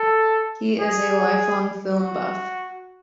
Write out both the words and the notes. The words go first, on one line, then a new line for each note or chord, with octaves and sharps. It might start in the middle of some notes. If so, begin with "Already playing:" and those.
He is a lifelong film buff.
Already playing: A4
G#4
F#4